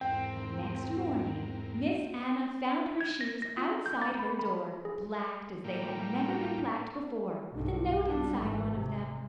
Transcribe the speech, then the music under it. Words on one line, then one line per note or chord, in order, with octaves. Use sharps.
But next morning Miss Anna found her shoes outside her door, blacked as they had never been blacked before, with a note inside one of them.
E2 G#2 C4 A#4 G5
G#6
A#6
A#6
F4
G6
A6
B5
B5
G#4
A2 G3 A#3
B1 G2
G3 D4
G#1 E3
C3